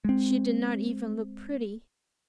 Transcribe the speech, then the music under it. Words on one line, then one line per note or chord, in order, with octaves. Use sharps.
She did not even look pretty!
G#3 C4